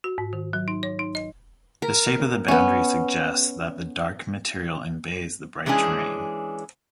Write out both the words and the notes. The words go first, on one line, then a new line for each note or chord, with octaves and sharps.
The shape of the boundary suggests that the dark material embays the bright terrain.
F#4
G#2
D#3
F#3
D#4
C#5
D#4
D#5
A#4
B3 C#4
E3 G#3 C#4 D4 G#4